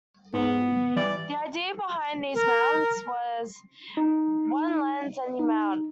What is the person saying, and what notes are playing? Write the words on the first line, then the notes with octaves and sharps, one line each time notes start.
The idea behind these mounts was 'one lens, any mount'.
G#2 B3
E3 G3 D5
A#4
D#4
D#4